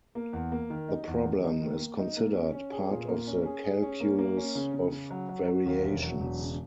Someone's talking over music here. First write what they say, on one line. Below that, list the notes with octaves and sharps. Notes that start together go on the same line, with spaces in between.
The problem is considered part of the calculus of variations.
A#3
E2
A#3
D#3
D#4
E2
D#3
D#4
D#3
A#3
D#4
A#3
C#4
C#4
G#4
A#2
A#3
C#4
G#4
G#4
C#4
A#3
A#3
C#4
C#3
C#3
C#3
F#3
F#3
F#3
D#2
E1
F#3
E1
C#3